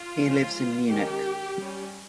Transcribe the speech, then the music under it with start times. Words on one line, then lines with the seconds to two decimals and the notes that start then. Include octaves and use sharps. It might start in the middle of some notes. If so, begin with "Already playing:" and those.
He lives in Munich.
Already playing: F4
0.20 F3 G#3 C#4
0.89 D#3 G#3 C#4 G4
1.58 G3 C#4